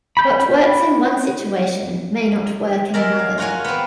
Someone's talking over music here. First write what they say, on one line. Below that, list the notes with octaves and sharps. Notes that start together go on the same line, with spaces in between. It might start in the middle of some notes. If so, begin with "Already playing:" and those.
What works in one situation may not work in another.
B5 G6
G#3 A#4 D5 E5
F5
F4 F#4 A#4 C#5 G#5
B3 C4